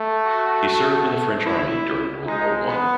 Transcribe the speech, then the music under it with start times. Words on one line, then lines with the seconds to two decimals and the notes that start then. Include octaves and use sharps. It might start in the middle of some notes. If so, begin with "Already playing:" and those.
He served in the French army during World War One.
Already playing: A3
0.25 F#4
1.46 E4
2.26 G#3 D#4
2.67 B3